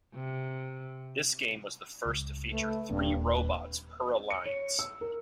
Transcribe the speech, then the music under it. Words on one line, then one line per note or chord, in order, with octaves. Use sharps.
This game was the first to feature three robots per alliance.
C3
C#2
A3 B4
D#1 G2 A#3 C4
B4
C#7
C#5
E6
A#4